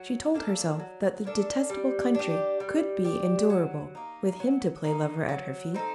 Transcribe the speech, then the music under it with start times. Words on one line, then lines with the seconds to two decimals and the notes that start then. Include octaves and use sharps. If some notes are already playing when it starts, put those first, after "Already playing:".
She told herself that "the detestable country" could be endurable with him to play lover at her feet.
Already playing: F#3
0.34 A#3 D4 A4
0.80 F#3
1.25 A#3 D4 A4
1.70 G3
2.15 D4 G4
2.60 G3
3.04 D4 G4
3.50 F#3
3.95 A#3 D#4
4.40 F#3
4.84 A#3 D#4
5.29 F#3
5.74 C4 D#4 A4